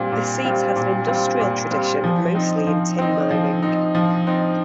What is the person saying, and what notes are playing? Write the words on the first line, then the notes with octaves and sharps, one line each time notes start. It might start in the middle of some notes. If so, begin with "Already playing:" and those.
The seat had an industrial tradition, mostly in tin mining.
Already playing: A#2 G3 C4 F4
A#2
G3 C4 F4
A#2
G3 C4 F4
A#2
G3 C4 F4
F3
C4 D#4
F3
C4 D#4
F3
C4 D#4
F3
C4 D#4